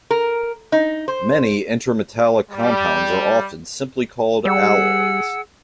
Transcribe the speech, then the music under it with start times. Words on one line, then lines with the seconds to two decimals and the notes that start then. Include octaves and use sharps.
Many intermetallic compounds are often simply called alloys.
0.11 A#4
0.72 D#4
1.08 C5
2.51 G3
4.45 G3 G#4 F#5 E6